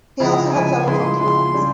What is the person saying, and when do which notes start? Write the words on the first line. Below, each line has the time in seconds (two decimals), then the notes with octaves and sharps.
He also had several concubines.
0.20 C#3 F3 G#3 E4 A#5
0.53 C#3 F3 G#3 E4 G#5
0.86 C#3 F3 G#3 E4 C6
1.19 C#3 F3 G#3 E4 C6
1.53 C#3 G3 C#4